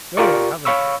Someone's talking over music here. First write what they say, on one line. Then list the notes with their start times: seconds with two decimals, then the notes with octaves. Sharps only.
'No, I haven't.
0.17 F4 G4 A#4 D5 C#6
0.65 C#5 F5 B5 C#6 E6